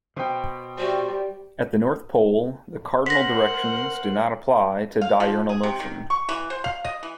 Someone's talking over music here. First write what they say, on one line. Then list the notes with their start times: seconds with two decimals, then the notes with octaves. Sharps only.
At the North Pole, the cardinal directions do not apply to diurnal motion.
0.16 B2 C5 G5
0.78 G3 F#4 C5 E5 G5
3.06 A#4 C5 F#5 A#6 B6
5.01 F5
5.20 F3
5.49 G#4
5.63 C3
5.80 D#3
6.10 C#6
6.29 E3
6.50 C5
6.64 F5
6.84 D#5
7.03 E3